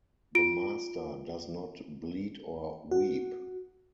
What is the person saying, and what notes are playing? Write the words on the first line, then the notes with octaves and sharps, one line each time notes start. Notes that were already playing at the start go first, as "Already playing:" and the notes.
The Master does not bleed or weep.
F4 D7
F#4